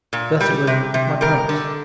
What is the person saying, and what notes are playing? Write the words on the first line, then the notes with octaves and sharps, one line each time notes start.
Thus it was with my parents.
A#2
G3
C3
C3
G3 A#4
D3